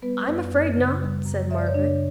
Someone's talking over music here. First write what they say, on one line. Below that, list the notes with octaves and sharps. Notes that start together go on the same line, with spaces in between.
'I'm afraid not,' said Margaret.
G3 B3 B4
F#2
F#2
C#3
G3
F#2
F#2 E5
D5
C#5
C#3 D4 D5